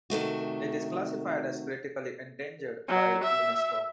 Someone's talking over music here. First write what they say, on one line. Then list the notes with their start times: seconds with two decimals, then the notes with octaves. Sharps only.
It is classified as critically endangered by Unesco.
0.10 C3 D#3 A3 F#4
2.88 F#3
3.23 E5